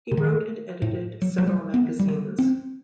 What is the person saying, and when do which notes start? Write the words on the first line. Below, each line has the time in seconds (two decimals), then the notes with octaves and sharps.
He wrote and edited several magazines.
0.11 C3
0.17 D#3
0.82 A2
1.22 F#3
1.38 F#3
1.47 G3
1.74 B3
1.99 G3
2.38 C4